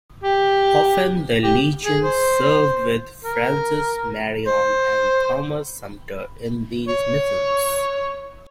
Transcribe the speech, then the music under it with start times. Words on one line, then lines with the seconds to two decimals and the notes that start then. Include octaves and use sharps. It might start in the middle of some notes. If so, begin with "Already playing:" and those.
Often, the Legion served with Francis Marion and Thomas Sumter in these missions.
0.23 G4
1.44 G4
1.85 G#4
2.04 C5
3.25 A#4
4.47 C5
6.88 C#5